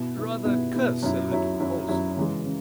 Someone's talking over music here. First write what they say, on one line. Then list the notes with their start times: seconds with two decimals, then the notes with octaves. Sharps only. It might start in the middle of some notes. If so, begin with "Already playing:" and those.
Rather curse a little also!
Already playing: B2 B3 E4
0.17 B2 B3 E4
0.45 B2 B3 E4
0.74 B2 B3 E4
1.03 F#2 F#3 E4
1.31 F#2 F#3 E4
1.60 F#2 F#3 E4
1.88 F#2 F#3 E4
2.16 C#3 E3 G#3
2.46 C#3